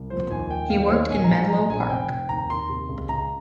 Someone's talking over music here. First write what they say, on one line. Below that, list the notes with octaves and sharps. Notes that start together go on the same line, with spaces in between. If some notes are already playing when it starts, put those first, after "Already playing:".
He worked in Menlo Park.
Already playing: C2
F3 C5
D#2 G#5
D#3 G5
D#2 F5
C5
D#3 C#5
A#1 G#5
A#5
G#2
G#5
F3 A#5
A#1 G#5
F1 G5
F1
D#2 A#5
D#2 C6
C3
C#2
C#2 A#5